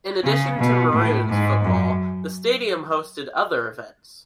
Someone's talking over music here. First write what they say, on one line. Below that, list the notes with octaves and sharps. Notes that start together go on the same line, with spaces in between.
In addition to Maroons football, the stadium hosted other events.
C#3
B2
A2
G#2
F#2